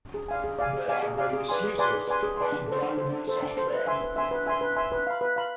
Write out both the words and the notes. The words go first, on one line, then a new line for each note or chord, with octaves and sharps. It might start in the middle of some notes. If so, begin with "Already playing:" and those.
There are various uses of brandable software.
G#4
D5 F5 G#5
G#4
D5 F5 G#5
G#4
D5 F5 G#5
G#4
D5 F5 G#5
G#4
B4 D5 G#5 C6
G#4
B4 D5 G#5 C6
G#4
B4 D5 G#5 C6
G#4
B4 D5 G#5 C6
D4
A4 C5
D4
A4 C5
D4
A4 C5
D4
A4 C5
B4
E5 G#5 C6
B4
E5 G#5 C6
B4
E5 G#5 C6
B4
E5 G#5 C6
B4
F5 B5
B4
F5 B5